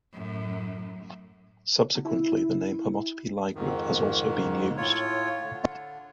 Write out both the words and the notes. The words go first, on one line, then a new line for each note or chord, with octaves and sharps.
Subsequently the name homotopy Lie group has also been used.
F#2 A2
E4
F2 G#2 D#3
A2 F4 C#5
D3